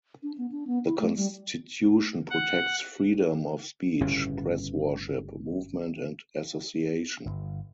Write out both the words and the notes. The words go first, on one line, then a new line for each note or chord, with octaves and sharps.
The constitution protects freedom of speech, press, worship, movement, and association.
D4
B3
D4
B3
E4
A3
G3
F#5
G1 A2 C#3 C#4
G1